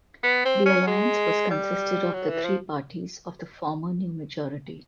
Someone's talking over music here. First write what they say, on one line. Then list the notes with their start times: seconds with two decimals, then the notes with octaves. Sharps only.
The alliance was consisted of the three parties of the former New Majority.
0.24 B3
0.45 C4
0.65 C#4
0.87 G#3
1.50 G3
2.13 F#3
2.29 E3
2.44 F3